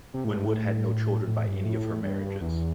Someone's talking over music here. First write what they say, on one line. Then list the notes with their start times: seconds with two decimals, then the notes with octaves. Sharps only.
Winwood had no children by any of her marriages.
0.14 C3
0.24 A2
0.36 G2
0.46 A2
1.28 A2
1.47 G2
1.65 A2
2.03 G2
2.41 E2